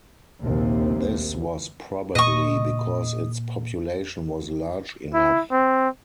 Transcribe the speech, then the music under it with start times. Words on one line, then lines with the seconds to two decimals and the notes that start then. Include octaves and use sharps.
This was probably because its population was large enough.
0.40 A#1 D#2 C3
2.15 A#2 D#5 C#6
5.14 E4
5.51 C4